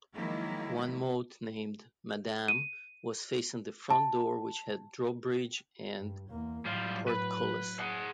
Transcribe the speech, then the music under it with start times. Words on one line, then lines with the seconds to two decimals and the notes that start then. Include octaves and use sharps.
One moat, named "Madame" was facing the front door which had drawbridge and portcullis.
0.14 D#3 F3 F#3 G#3 A#3 E4
2.48 D#7
3.91 A5
5.99 G2
6.30 E2 A#3
6.66 A2 F#3 G3 F4
7.08 B4
7.79 G#4 F#5